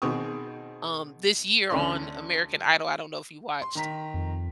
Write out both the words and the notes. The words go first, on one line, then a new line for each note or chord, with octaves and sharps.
um, this year on American Idol. I don't know if you watched.
B2 D#3 C4 G#4 C#6 D#6
D2 D3 C#4 D5 C6
C6
D#3 A#5 B6
F2